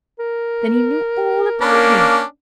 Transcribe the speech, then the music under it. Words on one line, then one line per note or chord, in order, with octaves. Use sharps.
Then he knew all about me!
A#4
A#3 C#4 D4